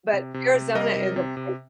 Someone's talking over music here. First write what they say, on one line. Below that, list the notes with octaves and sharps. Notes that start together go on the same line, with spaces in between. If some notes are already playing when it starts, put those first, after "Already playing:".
but Arizona is a pla
C3
C3
C3
G3 A#4 D#5
C3
C3
C3